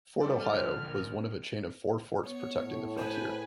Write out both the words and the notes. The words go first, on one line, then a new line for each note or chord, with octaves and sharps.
Fort Ohio was one of a chain of four forts protecting the frontier.
G3 A4 D5
F6
F2 D3 F#6
A#1 A#4
B3 C#5
A2
G#4 B4 C5 G#5